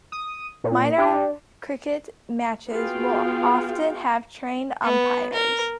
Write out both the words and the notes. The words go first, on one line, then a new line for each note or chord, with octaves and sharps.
Minor cricket matches will often have trained umpires.
D#6
A#2
D4 G4
B3 F4 F#4 G#4 F5 G5
B3
A#4